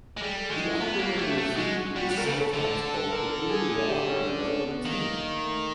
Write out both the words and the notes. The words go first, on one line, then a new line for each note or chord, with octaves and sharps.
This operator "V" is sometimes called the Julia operator of "T".
G#3
G3 G#4
A4
G#3 F#4
E4
B3 F4
A#3 F#4
A3 G4
A3 F#4
G#3 F#4
F#4
G3 F#4
G3 F#4
A#4
C#3 A4
A4
D3
A#4
A4
G#4
G#4
G4
C#4
D4
C#4
B3
D#3 A#3
A3